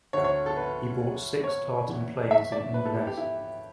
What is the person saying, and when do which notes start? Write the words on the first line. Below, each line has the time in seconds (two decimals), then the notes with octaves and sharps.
He bought six tartan plaids in Inverness.
0.13 D2 D3 C#5
0.24 C#5
0.46 A4
0.57 B4
1.44 C#5
1.87 E2 C#3 E3
2.31 E5
2.52 D5
2.74 B4
2.85 A4
2.96 G4
3.07 G4
3.18 E4